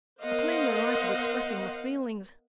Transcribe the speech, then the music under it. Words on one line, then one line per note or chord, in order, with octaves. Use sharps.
I claim the right of expressing my feelings.'
B3 A#4 C5 D#5 F5 F#5